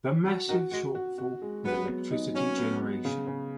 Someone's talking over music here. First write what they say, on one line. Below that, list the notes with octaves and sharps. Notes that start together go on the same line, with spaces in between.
The massive shortfall of electricity generation.
F#3 F#4
D#3 F#4
G#3 F#4
F#4
F#4
G#3
F#3 B3
B3
D#4
F#3 C#4
B3
B3
C#3
C#3